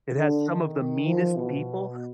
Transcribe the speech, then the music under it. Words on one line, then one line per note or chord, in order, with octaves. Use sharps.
It has some of the meanest people,
D3
D#3
F3
B2